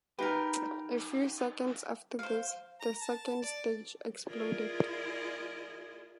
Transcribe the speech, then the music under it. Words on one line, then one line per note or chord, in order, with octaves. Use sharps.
A few seconds after this, the second stage exploded.
D#4 G4 A#4 B4
C5 F5
A#5
A5
D5
E4 F4 G#4 A#4 D5 D#5